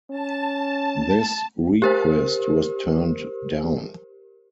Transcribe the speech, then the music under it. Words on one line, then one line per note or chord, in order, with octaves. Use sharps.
This request was turned down.
C#4 A5
G4 A#4 C5